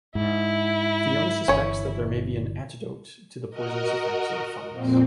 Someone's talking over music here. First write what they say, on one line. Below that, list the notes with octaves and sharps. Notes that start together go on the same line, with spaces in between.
Fiona suspects there may be an antidote to the poisonous effects of the fungus.
G#2 E4
G1 E3 C#4 C#5
F#4 A#4 D#5
F2 A#2 C4